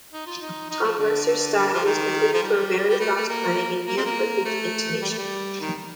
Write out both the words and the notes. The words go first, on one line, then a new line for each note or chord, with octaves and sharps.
Ton Masseurs' style was noted for very fast playing and near-perfect intonation.
D#4
F4
D#4
D#4
F3
D3
F3
D#3
F3
G3
G3
A3
A3
A#3
A#3
C4
A#3
A3
G3
A3
G3
D#3